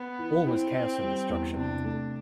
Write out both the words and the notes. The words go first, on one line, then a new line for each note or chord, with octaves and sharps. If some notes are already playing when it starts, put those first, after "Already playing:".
All was chaos and destruction.
Already playing: B3
E3
C4 E4
E4
G3
E2
C3 D4
A3